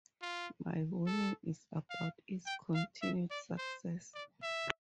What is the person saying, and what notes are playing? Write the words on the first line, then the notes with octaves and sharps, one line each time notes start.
My warning is about its continued success.
F4
A4
F5
G5
F5
E5
D5
C5
D5
E5